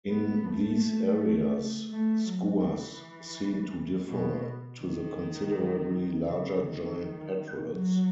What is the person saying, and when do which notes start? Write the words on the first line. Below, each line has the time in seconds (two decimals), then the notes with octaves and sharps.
In these areas, skuas seem to defer to the considerably larger giant petrels.
0.10 B3
0.46 A3
1.92 A3
2.28 F#3
2.63 E3
4.09 B2
4.81 D#3
6.26 C#3
6.62 D#3
7.71 F#3